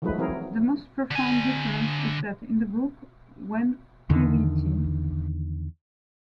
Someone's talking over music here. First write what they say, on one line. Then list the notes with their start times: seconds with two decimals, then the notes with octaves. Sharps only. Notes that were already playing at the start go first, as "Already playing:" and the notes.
The most profound difference is that, in the book, when Pvt.
0.02 D#3 F3 F#3 G#3 A3 B4
0.18 E3 F#3 C4 E4 G#4 A#4
1.11 D3 G#5
4.10 E2 D3 D#3